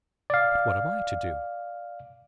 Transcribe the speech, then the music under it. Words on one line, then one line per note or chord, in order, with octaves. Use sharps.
"But what am I to do?"
D5 F5